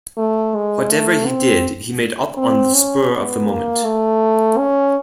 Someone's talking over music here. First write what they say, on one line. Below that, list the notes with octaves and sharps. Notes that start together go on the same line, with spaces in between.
Whatever he did, he made up on the spur of the moment.
A3
G#3
A3
C4
C4
C#4
B3
A#3
A3
C#4